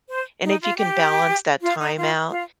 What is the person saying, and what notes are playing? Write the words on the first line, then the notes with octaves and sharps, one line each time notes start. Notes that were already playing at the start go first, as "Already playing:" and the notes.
And if you can balance that time out
C5
D#4
F4
G4
F4
D#4
F4
F4